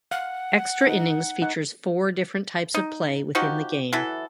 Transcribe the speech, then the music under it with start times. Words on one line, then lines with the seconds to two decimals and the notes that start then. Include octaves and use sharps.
Extra Innings features four different types of play within the game.
0.11 F5 F#5
0.87 D#4
1.42 D#4 F#5
2.74 D#4
3.35 F3 D#4 F#4 G4
3.93 E3 F#3 E4 A4